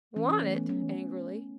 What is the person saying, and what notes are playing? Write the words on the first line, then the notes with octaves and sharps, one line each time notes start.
"Want it?" angrily.
E3 C#4
C#4
A3
B3
F#3 C#4
E3